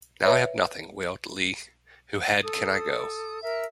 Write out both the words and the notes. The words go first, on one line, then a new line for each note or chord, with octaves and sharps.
Now I have nothing, wailed Lee, who had can I go?
B4 C#5 E5
A4 D#6
A#4 E5